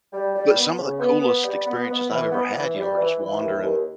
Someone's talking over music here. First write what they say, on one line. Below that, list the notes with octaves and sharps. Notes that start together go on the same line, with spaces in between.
But some of the coolest experiences I've ever had, you know, are just wandering
G3
G3
B3
C#3
B3
B3
G3
B3
B3
E3
B3
E3
G3
E3
E3
D#2
D#2